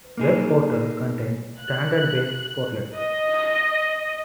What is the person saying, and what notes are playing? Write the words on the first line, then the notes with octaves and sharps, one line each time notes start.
Web Portal contains standard-based portlets.
A#3 D#4 G#4
F#6
D#5